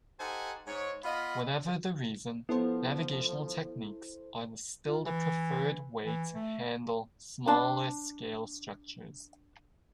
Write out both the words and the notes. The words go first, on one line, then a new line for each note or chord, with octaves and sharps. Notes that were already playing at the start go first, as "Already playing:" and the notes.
Whatever the reason, navigational techniques are still the preferred way to handle smaller-scale structures.
D#4 G4 A4 C5 F#5 G#5
G#2 C#5
B3 F4 D#5 F5 B5
F3 B3 E4 A4 C5
F4
E3
E3
A3
D4 A5